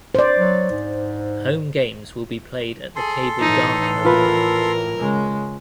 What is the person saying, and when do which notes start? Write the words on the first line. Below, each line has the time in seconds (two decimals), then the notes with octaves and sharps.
Home games will be played at the Cable Dahmer Arena.
0.15 C5 D5
0.39 F#3
0.71 G#2
2.96 G#4 A4 C6
3.39 A2 E3 D#4
4.05 F4 A#4 B4
4.97 C#3 G#3